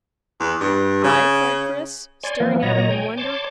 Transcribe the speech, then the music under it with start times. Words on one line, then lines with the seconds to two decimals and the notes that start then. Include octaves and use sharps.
"I?" cried Chris, staring at him in wonder.
0.40 E2
0.61 G2
1.04 C#3
2.23 C#5 D5 G#5 C6
2.40 E3 F3 A#3 B3
2.63 A#2 F#3 C#5 D#5 A#5
2.91 G5 G#5
3.17 C#5 A5 C6 D6